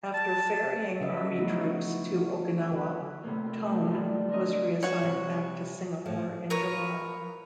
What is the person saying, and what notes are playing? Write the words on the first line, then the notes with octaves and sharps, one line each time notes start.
After ferrying army troops to Okinawa, "Tone" was reassigned back to Singapore in July.
A5
C#3 C#4 B4 D#5 E5
F3 A3 B3 D#4 E4 F#4
F#4
D3 F#3 F#4 A4 B4
A2 C3 A#3
F4
A3
D3 D#3 G3 F4
C4 D4 A#4 D#5
F#4 C#5
C3 G3
A2 F3
A#4 B4 C#5